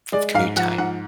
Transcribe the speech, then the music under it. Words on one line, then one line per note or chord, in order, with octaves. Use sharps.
f of commute time,
G#3 D5
G#2 F5
F3 F#5
G#2 F#5